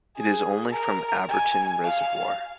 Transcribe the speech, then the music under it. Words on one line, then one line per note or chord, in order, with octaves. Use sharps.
It is only from Abberton Reservoir.
G#4
A#4
G#5
F5